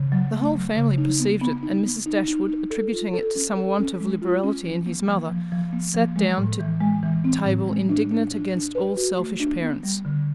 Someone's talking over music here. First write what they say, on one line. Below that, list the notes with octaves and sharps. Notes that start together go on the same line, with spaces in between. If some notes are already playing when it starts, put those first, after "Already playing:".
The whole family perceived it, and Mrs. Dashwood, attributing it to some want of liberality in his mother, sat down to table indignant against all selfish parents.
Already playing: C#3
F#3
A3
F#3
C#3
D#4
B3
B3
D#4
B3
D#4
D#4
D#4
A4
F4
A4
C#4
A4
C#4
G#3
F4
C#4
F3
A#3
F3
F3
F3
A#3
F3
G#3
A2
E3
G#3
E3
C4
A2
G#3
D4
D4
D4
D4
B4
F#4
A3
D4
B3
G3
D3